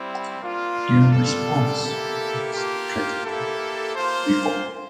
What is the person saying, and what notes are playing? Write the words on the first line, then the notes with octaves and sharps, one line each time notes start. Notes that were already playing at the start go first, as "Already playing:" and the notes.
Their response was to threaten revolt.
Already playing: G3 C4 E4
A#3 D4 F4
G3 A#3 D4 F4 A4
A#3 E4 G4
A#3 F4 G4
A#3 E4 G4 A4
A#3 F4 C5